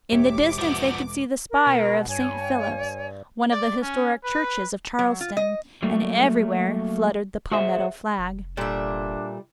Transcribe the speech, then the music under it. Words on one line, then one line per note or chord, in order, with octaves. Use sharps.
In the distance they could see the spire of St. Philip's, one of the historic churches of Charleston, and everywhere fluttered the palmetto flag.
E1 G4 C#5 E5 D6
F3 B3
A#4
B2
G2 C#5 G#5
D5
C#4
B4
F#3
F4
D#5
F#3 G3 A3 A#3
F#4 G#4 C5 E5 F#5
F1
A#2 G3 D4 A4 D5 E5